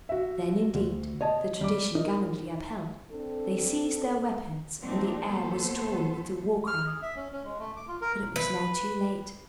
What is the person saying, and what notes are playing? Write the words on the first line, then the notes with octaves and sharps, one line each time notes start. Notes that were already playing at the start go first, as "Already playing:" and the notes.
Then, indeed, the tradition gallantly upheld, they seized their weapons, and the air was torn with the warcry; but it was now too late.
F#4 E5
D2
C#5 D#5 A5
G3 D6
D#4 A#4
C4 D4 A4
F3 F#3 A#3 C4 D4 D#4
D#2 B3 A4 C5
F6
G#4
E5
C#4
C#4
G#3
A3
D6
F4
A#4
B4